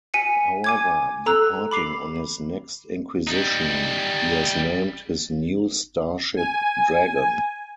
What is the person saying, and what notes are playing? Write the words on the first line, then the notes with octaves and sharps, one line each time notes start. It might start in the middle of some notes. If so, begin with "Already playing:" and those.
However, departing on his next Inquisition, he has named his new starship "Dragon".
G#5 B6 C#7
G#5 D6 G#6
A4 A#5 E6 F#6
B5 D6 C7 F7
G3 D#4
G#5